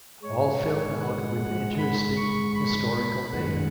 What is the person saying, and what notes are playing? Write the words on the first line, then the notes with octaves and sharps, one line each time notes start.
All filled out with interesting historical data.
G#2 G#3 C#5
F#5
B5
C#6
B5
F#2 D#3 G#3 F#5